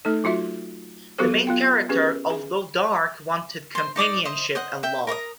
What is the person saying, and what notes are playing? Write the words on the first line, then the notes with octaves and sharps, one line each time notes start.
The main character, although dark, wanted companionship and love.
A3 D#4 A4
F#3 F4 F#4 E5
F#3 B3 F#4 G4 A4 C5
B3 F4 G5
C#4 G4 G#4 B4
G#4
C5 C6
D#4 D5 D6 D#6
C5 D#5 E5
C5 D#5 F#5
E5 G5
A#4 A#5 C#6 D#6